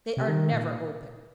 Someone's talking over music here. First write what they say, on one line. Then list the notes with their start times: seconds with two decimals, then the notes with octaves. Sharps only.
They are never open.
0.17 C3
0.28 D#3
0.52 A#2